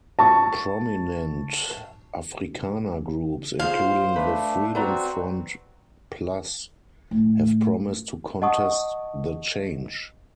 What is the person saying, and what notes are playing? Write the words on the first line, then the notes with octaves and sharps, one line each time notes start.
Prominent Afrikaner groups, including the Freedom Front Plus, have promised to contest the change.
A5 C#6
F4 G#4 C5 F5
A3 D4 B4
C4 F#4 B4 D5 A#5
A2
D#5 F#5 A5 C#6 D#6